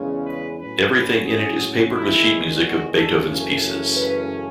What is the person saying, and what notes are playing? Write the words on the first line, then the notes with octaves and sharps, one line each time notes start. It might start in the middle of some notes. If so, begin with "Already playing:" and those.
Everything in it is papered with sheet music of Beethoven's pieces.
Already playing: E2 C#3 G#3 C#4
B4
A2 F#3 C#4 B4
B4
G#4
E2 D#3 G#3 E4
F#4
A4
F#2 C#3 E3 A3 C#4
B4